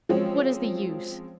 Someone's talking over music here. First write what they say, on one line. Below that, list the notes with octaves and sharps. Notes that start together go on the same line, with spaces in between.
What is the use?
F3 F#3 G#3 C4 C#4